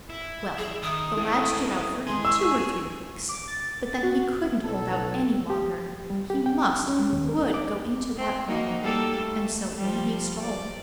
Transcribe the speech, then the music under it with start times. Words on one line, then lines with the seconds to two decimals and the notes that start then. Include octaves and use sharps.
Well, the lad stood out for two or three weeks, but then he couldn't hold out any longer; he must and would go into that room, and so in he stole.
0.10 E4
0.58 G#4
0.82 D#3 D#6
1.17 G#3 C4 E4 A4
2.07 E3 G#3 G#4 C6
2.25 C#6 E6
3.29 D6
3.48 A6
4.03 F#4
4.63 B1 A4
5.50 G4
6.10 G3
6.30 G4
6.46 G5
6.88 C#4
7.13 D#2
7.29 A#4
7.54 D6
8.17 C4
8.47 A#3 D#4 F#4
8.83 G3 A#3 A4
9.18 A3
9.78 F3 G3
10.40 D5